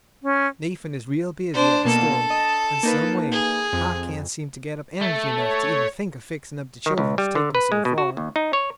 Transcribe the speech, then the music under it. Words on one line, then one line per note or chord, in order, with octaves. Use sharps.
Nathan is real busy at the store; and, some way, I can't seem to get up energy enough to even think of fixing up the children to take them so far.
C#4
D4 C5
B2 A#3 A4 A5
D#5
A#3 D#4 B4
G#4
F2
A3
C#5
D#3
C#2
G3
D3
B4
G#3
B2
F#4
D#2
D#4
C#5